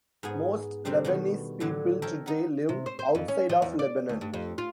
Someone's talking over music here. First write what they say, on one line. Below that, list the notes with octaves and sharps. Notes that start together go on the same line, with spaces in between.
Most Lebanese people today live outside of Lebanon.
G#2 B3 G#4 G#5
C3 G3 A3 C4 D4
B2 D#3 B3
A2 D3 F#3
A4 A#4 C#5 E5 G5
B3 D#4
C3
C5
C5
F2
C#4
F3
E2
D5
D2
G2
F2
F4